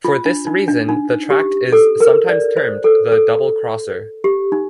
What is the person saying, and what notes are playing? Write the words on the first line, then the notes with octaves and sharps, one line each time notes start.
For this reason the tract is sometimes termed the double-crosser.
F4
D4
D#4
D4
D#4
G4
A4
A#4
D5
C5
A4
A4
G4
D#4